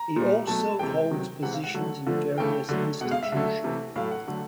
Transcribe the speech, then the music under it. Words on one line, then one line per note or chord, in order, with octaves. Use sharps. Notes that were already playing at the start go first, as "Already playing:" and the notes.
He also holds positions in various Institutions.
Already playing: A#5
A#2 G3
B2 F#3 A3 A5
C3 E3 G#3 G5
C3 D#3 F#3
C3 E3 G#3 F#5
F5
F#5
D3 F#3 A3
D3 F3 A3
C#3 E3 A3 G5
D3 F#3 A3
B2 G#3 F#5
F5
E5
D3 F#3 A3
C3 E3 A3
A2 F#3 A3 F5
F#5
D3 F#3 A3